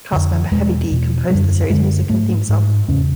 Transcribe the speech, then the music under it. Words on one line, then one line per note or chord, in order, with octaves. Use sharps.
Cast member Heavy D composed the series' music and theme song.
F2 D3
E2 B2 G#3
E2 B2
F#2 D3 G3
F#2 D3 G#3
G#2 A3
G#2
E2 C#3 C#4